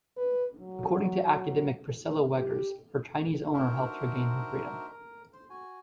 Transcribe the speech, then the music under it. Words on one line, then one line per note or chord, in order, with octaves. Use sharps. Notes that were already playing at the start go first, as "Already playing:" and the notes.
According to academic Priscilla Wegars, her Chinese owner helped her gain her freedom.
B4
F#3
G4
D4 D#4 F#4 A#4 C5 E5
A#4
C5
F#4 G#5